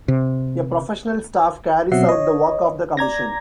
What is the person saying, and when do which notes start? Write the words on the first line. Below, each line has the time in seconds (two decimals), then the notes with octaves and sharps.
A professional staff carries out the work of the Commission.
0.08 C3
1.92 B2 F#3 C4 E5 F#5 C7
2.09 C#5 D#5
2.97 D5 A#5 G#6 A#6